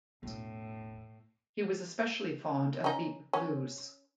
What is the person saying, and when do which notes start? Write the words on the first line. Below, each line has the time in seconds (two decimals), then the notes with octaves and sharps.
He was especially fond of deep blues.
0.23 E1 A2
2.84 C#4 D#4
3.33 C#4